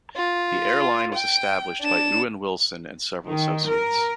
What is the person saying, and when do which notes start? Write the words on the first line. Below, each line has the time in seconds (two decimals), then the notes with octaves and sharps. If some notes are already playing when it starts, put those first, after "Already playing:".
The airline was established by Ewan Wilson and several associates.
0.16 F4
1.15 G5
1.81 D4 E7
3.27 D#3
3.69 A#4